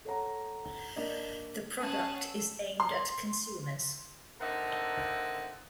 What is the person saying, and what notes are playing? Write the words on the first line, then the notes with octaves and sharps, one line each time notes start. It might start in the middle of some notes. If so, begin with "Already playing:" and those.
The product is aimed at consumers.
A4 C#5 F#5 A#5
A#3 D4 D5 D#5
C#4 G#4 C#5 F#5 A5 F#6
E6
C6
D3 A#3 C4 D#4 E5 F#5